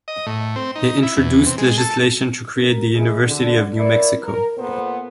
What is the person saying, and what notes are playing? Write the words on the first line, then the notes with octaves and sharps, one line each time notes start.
He introduced legislation to create the University of New Mexico.
D#5
A2
C4
D#4
E4
E2
C3
G#3
A4
A#4
E3 G#3 E4 G#4
D3
E4 A#4 D5
A#4
A#2 B3 A4 C5